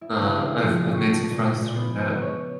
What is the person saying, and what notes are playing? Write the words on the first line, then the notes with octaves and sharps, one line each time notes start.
Uh, I've I've made some friends through that and
E4
C#3
G#4
F3
C#6
A4
A#2
F4
A#2
B3
C#5